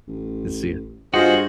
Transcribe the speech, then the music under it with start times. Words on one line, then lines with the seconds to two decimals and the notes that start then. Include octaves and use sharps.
I'll see ya.
0.07 A1
1.14 G2 F4 F#4 G#4 C5 D#5